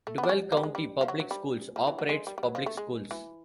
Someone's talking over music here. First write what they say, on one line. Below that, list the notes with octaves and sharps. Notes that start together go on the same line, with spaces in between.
Duval County Public Schools operates public schools.
A3
B3
D4
C#4
A#3
G3
G#3
G3
F3
F#3
F#3
G3
F3
E3
F#3
G#3
G3
G3
F#3
F3
A3
G#3
E3